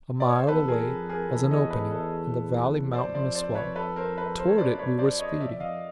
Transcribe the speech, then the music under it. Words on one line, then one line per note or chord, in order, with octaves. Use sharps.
A mile away was an opening in the valley's mountainous wall; toward it we were speeding.
D5
C#5
C5
E2 A4 B4
G#4 A#4
F2
G#4 A#4
E2 A4 B4
C#5 D#5
A4 B4
A4 B4
F2 C5 D5
C5 D5
C5 D5
B4 C#5
A4 B4
A#4 C5
A4 B4
A#4 C5
C#5
F#2 C5 D5
D5
B4 C#5
F#2 C5 D5
C#5 D#5
F2 D5 E5
E5
D#5 F5